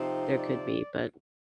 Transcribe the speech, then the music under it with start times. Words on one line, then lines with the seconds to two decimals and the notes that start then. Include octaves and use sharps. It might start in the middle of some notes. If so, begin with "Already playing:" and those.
there could be, but
Already playing: C3 F3 C4 D#4
0.37 D5